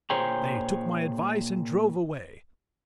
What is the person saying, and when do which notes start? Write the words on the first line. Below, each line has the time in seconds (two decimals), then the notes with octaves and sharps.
They took my advice and drove away.
0.10 A#2 G#4 C5 C#5 G5 A#5